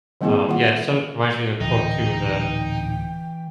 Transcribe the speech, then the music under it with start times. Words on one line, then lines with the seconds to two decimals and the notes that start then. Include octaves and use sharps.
um Yeah, it sort of reminds you of the quote too, the
0.21 D#3 G3 A#3 C4 E4 G#4
0.49 D#3 A#3 F4 F#5
1.60 D1 A#2 E3 A#3 D#4 G5